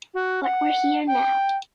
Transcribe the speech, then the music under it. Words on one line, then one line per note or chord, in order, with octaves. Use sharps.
But we're here now.
F#4
F#5
G5